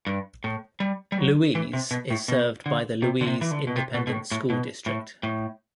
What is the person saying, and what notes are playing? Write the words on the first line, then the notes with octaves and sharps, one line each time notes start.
Louise is served by the Louise Independent School District.
G2
A2
G3
G3
F#3
E3
C3
B2
A2
B2
D3
C3
D3
C3
E3
D3
B2
C3
B2
B2
A2
A2
B2
A2
A2